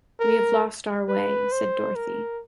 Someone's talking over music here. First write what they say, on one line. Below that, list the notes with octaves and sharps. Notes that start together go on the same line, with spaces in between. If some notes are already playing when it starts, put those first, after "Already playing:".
"We have lost our way," said Dorothy.
A#4
B4
C5
A#4